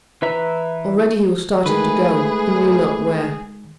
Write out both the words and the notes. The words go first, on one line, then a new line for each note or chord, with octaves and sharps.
Already he was starting to go, he knew not where.
E3 B4 E5 A#5
D#3 G#3 A3 G#4 B4